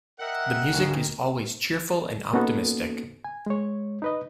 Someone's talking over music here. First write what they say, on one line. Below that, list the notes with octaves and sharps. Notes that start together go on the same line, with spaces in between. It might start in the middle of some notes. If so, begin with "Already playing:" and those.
The music is always cheerful and optimistic.
A#4 D#5 E5 F#5 G5
D2 G#2 C#3
A#3 B3 C#4 D#4 F#4 A4
G#5
G#3 C#5
D#4 B4 D#5